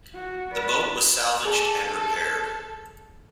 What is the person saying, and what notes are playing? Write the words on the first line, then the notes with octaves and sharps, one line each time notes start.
The boat was salvaged and repaired.
F#4
B4 D5
G#4 A4 G#5